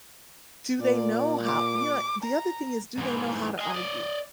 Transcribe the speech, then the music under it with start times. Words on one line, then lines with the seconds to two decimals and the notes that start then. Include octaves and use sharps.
do they know how you know, and the other thing is, do they know how to argue?
0.80 A#2 D5
1.44 D6
2.24 A#5
2.98 G#2 E3
3.60 D#5 G#5
3.73 D5 D#5